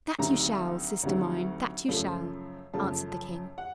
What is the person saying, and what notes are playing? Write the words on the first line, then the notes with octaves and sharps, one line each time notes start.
"That you shall, sister mine; that you shall," answered the king.
D2 C3 D#3 F#3 A#5
D2 C3 D#3 F#3
F#2 C#3 F3 A3
F#2 C#3 F3 A3 A5
F#5